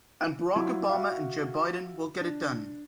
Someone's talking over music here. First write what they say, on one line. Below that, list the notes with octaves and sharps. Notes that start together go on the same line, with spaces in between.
And Barack Obama and Joe Biden will get it done.
F#3 E4 F4
F#4 E5 F5
D4